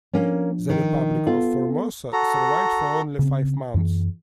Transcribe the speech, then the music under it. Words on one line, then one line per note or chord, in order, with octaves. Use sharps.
The Republic of Formosa survived for only five months.
F3 A#3 C#4 D4
D#3
B3 F4 A4
F#4 A4 A#5
C#3 C4
F#2 E3